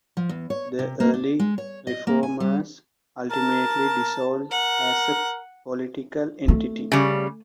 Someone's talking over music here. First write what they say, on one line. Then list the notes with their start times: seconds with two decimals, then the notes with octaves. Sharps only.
The early reformers ultimately dissolved as a political entity.
0.17 F3
0.29 E2
0.50 C#5
0.79 C3
1.00 A#3
1.14 D4
1.39 G#3
1.58 C#5
1.87 D#5
2.07 A#3
2.23 G#5
2.40 G3
3.31 A#4 A5
4.51 A#4 F#5
6.48 A3
6.92 C#3 G3